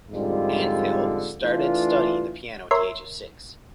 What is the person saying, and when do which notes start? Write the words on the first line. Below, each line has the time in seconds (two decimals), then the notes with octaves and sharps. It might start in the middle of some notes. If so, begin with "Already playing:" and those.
Antheil started studying the piano at the age of six.
0.11 F2 G#2 D3 G3 F4
1.41 E3 A3 D4 F4
2.71 A#4 C#5 E5 C6